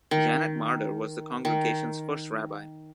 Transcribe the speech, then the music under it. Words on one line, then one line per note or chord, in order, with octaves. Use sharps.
Janet Marder was the congregation's first rabbi.
D#3
D#3